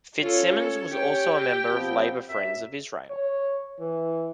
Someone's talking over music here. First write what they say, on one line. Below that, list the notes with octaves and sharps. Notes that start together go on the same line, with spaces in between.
Fitzsimons was also a member of Labour Friends of Israel.
C#4 F4 A4 C#5
A4
G4 G5
F3 B3 C4
F#2 E5
C#5
E3